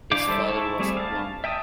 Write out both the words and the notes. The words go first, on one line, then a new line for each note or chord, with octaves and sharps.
His father was a plumber.
E3 D4 F5 D6 G6
G3 A4 C5 E5
E4 A5 C#6
G3 A3 C4 G4 G#4
F5 A5
E5 G5 A5 D#6